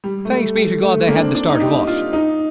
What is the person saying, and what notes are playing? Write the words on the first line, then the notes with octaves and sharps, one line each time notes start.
Thanks be to God they had the start of us.
G3
A3
G3
G3
A3
A#3
D4
C4
D4
D#4
G4
F4
D#4